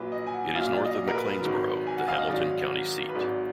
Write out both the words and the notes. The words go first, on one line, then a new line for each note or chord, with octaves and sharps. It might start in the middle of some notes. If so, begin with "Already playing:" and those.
It is north of McLeansboro, the Hamilton County seat.
Already playing: A#1 A#2 F#3 B4
D#5
G#5
F#5
A#1 A#2 F#3 F5
D5
D#5
A#4
B4
G#1 G#2 D#3 F#3
G#5
F#5
F5
D#5
G#1 G#2 D#3 F#3 D5
B4
G#1 G#2 F#3 D5